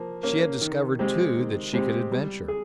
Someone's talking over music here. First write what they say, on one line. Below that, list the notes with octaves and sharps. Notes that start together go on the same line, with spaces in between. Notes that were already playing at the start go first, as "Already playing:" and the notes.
She had discovered, too, that she could adventure.
Already playing: F3 A#3
A#3 C#4
D#3
G#3 C4 G4
D#3
G#3 C4 G4
G3
G#4